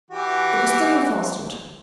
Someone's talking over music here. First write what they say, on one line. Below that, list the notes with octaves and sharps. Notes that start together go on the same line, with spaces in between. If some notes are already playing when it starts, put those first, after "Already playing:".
It was still unfastened.
E3 F#4 G4